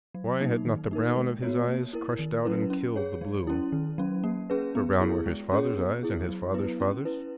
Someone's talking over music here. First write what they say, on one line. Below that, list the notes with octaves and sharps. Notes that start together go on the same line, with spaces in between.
Why had not the brown of his eyes crushed out and killed the blue?--for brown were his father's eyes, and his father's father's.
F#3
A#3 D#4
D#3
A#3 D#4 A#4
G#3
B3 F#4 C#5
A#3
E4 A#4
D#3
F#3 C#4 E4 B4
C#4
G#4 C#5
F#3
C#4 E4
D#3
F#3 C#4
A#3
C#4 G#4 B4
B3
E4 G#4
G#3
C#4 G#4 C#5
B3
E4 G#4
F#3
B3 E4 B4
C#4
E4 B4